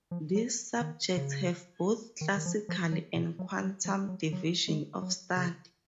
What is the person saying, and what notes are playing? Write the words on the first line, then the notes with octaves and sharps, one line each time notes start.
These subjects have both classical and quantum divisions of study.
F3
F#3
D#3
C#3
D#3
D#3
F3
F3
F#3
B2
F#3
F#3
F3
F#3
F#3
G#3
F#3
C#3